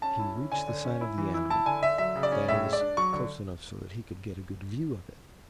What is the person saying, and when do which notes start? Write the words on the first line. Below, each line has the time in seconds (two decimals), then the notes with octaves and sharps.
He reached the side of the animal, that is, close enough so that he could get a good view of it.
0.02 C#4 A5
0.19 E4
0.35 C#4
0.52 D3 G#5
0.68 D3
0.84 C#4
1.01 E4
1.18 E3
1.34 E4
1.50 E4 A5
1.66 D3 G#5
1.82 D3 E5
1.98 F#3 E5
2.16 C#3
2.23 D5
2.32 C#4
2.48 A2 E5
2.64 G#3
2.73 D5
2.80 D4
2.97 F#3 C#6
3.13 D3